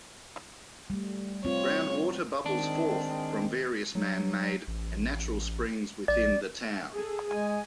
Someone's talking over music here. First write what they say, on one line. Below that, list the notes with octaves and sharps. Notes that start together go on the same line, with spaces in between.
Groundwater bubbles forth from various man-made and natural springs within the town.
G3 A3
C4 F4 C#5
D#3 G#3 C4 D4
F#3
A1
A#1 D5
G#4 A4
G#3 G#5